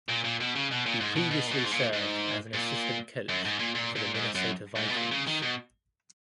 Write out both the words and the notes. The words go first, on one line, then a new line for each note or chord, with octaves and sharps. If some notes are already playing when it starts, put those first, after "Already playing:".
He previously served as an assistant coach for the Minnesota Vikings.
A#2
A#2
B2
C#3
B2
A#2
G#2
B2
B2
A#2
B2
G#2
A#2
G#2
A#2
F#2
G#2
A#2
A#2
A#2
G#2
F#2
G#2
B2
A#2
C#3
D#3
B2